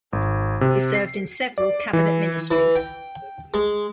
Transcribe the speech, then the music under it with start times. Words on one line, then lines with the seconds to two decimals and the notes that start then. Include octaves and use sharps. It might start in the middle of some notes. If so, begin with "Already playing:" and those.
He served in several cabinet ministries.
0.13 G#1
0.61 C3
0.95 C7
1.58 D5
1.93 E3
2.51 E3
2.76 G5
3.54 G#3